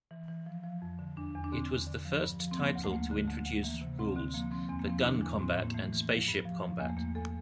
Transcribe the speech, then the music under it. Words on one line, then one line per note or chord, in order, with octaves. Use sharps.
It was the first title to introduce rules for gun-combat and spaceship combat.
E3
E3
F3
F3
F2
D3
E2 D4
E2
D4
D3 C4
E2
D3
F3
G2
F3
C4
F3 A#3
D2
A3
D2 A#3
D3
D2 A3
D2
E3 A#3
C3
D2 C4
D3 C4
F3 A#3
F3 C4
E2 C4
A#3
F3 C4
E4
D3 D4
E2
A2 C4
A2
A#3
E3 A3
E3
F3
G2
F3
F3
E2 A#3
A3
E2 A#3
E2 A4